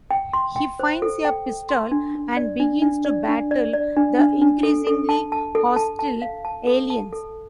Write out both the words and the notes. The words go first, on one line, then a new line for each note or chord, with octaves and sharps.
He finds a pistol and begins to battle the increasingly hostile aliens.
G5
C6
G5
C5
A4
G5
A4
C6
D4
D4
D5
D4
D4
D5
D4
D5
D5
D4
D4
D4
A4
A4
A5
A5
A4
A5
A5
F5
A5
A4
A5
A4